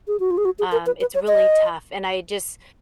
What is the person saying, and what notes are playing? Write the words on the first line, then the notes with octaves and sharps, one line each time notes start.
Um, it's really tough, and I just
G#4
F#4
F4
G#4
F#4
G#4
A#4
B4
B4
C#5
D#5